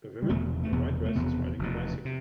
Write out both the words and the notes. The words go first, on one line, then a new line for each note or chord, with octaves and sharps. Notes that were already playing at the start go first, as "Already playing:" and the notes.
A woman in a white dress is riding a bicycle.
G3
F1 E2 B2 A3
A3
F1 E2 B2 B3
A3
F1 E2 B2 B3
F1 E2 B2
C3